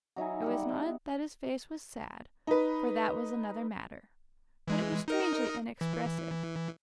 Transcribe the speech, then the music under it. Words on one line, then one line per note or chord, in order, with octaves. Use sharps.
It was not that his face was sad, for that was another matter; but it was strangely inexpressive.
F#3 D#4 E4 G#5
G3 F#5 G5
F#5
B3
D#4 B4
E3 G#3
D#4 A#4 D#5
E3